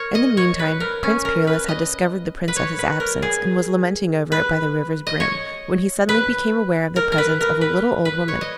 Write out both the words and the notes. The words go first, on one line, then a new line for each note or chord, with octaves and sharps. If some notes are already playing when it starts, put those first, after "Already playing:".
In the meantime Prince Peerless had discovered the Princess's absence, and was lamenting over it by the river's brim, when he suddenly became aware of the presence of a little old woman.
Already playing: A#4 C#5
D#5
C#5
B4
A#4
C#4
A#4
B4
D#5
B4
C#5
B4
A#4
G#4
B4
D#5
C#5
B4
A#4
A#4
B4
A#4
B4
B4
C#5
D#5